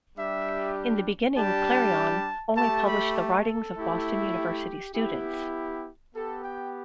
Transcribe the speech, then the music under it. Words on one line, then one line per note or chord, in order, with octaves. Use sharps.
In the beginning "Clarion" only published the writing of Boston University students.
G3 D4 G4 E5
G3 D4 G4 A5
A3 G4 A5
B5
A4
A3 E4 G4
G4
B3 E4 G4
B3 G4 A4
G5